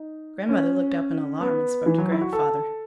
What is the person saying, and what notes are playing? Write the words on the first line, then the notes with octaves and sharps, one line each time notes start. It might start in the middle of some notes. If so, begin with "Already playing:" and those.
Grandmother looked up in alarm and spoke to grandfather.
Already playing: D#4
C#4
B3
E3
F#3
E4
F#4
A4